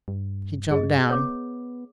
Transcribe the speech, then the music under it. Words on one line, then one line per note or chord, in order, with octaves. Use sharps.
He jumped down.
G2
G2 G#4 D#5
B3 C#5 D6